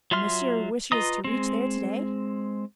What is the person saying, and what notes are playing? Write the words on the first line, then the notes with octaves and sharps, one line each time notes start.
"And Monsieur wishes to reach there to-day?"
F#3 F4 E5 C6 F6
F4 B4 D#5 A#5 D#6
G#3 C4